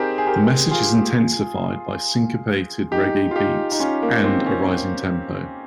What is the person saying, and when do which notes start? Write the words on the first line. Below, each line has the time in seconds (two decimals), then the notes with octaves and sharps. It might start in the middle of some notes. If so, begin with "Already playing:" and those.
The message is intensified by syncopated Reggae beats, and a rising tempo.
Already playing: C4 D#4 G4 G#4 A#4
0.18 G#4
0.27 G4 A#4
0.71 F4 G#4
2.92 D#4 G4
3.31 F4
3.36 D#4 G4
3.72 D#4
3.80 C#4 F4
4.02 A#3
4.24 C4
4.46 A#3 C#4